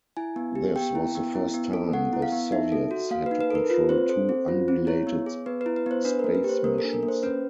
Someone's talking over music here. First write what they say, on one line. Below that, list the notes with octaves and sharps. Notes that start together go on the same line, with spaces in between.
This was the first time the Soviets had to control two unrelated space missions.
E4 G#5
B3
G4
B3 G5
E4
B3
E4
B3
A4
B3 F#5
E4
F5
B3
D#4 E5
A4
F#4
A#3 F5
D#4 B4
B4
A4 A#4
F4 B4
C4 C5
A4 C5
C4
F4
C4
E4 C#5
B3
G#4
B3 B4
B4
E4
B4
B3 C5
D4 B4
A#3 A#4
B4
G4
C5
A#3 A#4
A4
D4
A#4
A#3
C5
C#4 B4